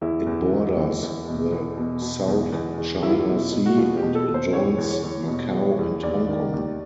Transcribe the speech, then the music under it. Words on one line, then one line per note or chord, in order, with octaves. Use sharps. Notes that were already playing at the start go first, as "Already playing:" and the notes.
It borders the South China Sea and adjoins Macao and Hong Kong.
E2 E4
E2
E2
E2
E2
B2
E2
B2
B2
E2
E2
E2
E2 E4
F4
E4
B2
B2
F#4
E2 F4
G4
B2
A4
B2
C5
E2 C#5
E2
C#5
E2
B2
E2
E2
D#2 D5
D#3
D#2